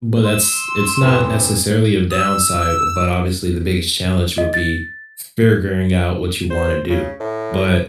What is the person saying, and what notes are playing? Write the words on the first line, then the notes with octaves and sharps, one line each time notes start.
but that's it's not necessarily a downside, but, obviously, the biggest challenge would be f figuring out what you wanna do. But,
C6 E6
F1 A2 B3
E6
D#5
A6
C5
C#3
A2